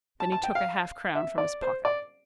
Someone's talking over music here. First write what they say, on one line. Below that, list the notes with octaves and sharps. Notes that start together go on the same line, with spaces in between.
Then he took a half-crown from his pocket.
A5
A5
G5
F5
E5
D5
C5
D5